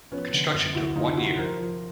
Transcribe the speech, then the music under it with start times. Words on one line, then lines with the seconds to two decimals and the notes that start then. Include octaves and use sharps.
Construction took one year.
0.12 F3 B3 C#4
0.34 D3
0.54 F#2
0.75 D2 E4 F#4
0.96 D2 D#4 F4
1.17 C3 E4 F#4
1.38 F2 A#4 C5
1.59 F3